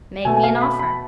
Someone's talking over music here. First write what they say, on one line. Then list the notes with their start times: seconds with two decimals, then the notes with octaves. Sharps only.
"Make me an offer."
0.25 B2 A3 G#5
0.37 G#5
0.43 F5
0.61 B5
0.79 B5